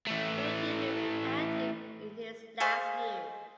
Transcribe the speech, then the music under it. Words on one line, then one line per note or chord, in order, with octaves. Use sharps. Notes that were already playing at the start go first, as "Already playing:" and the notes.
Rietti remained active in his last years.
E3 A3
G#4 C5 D#5 F5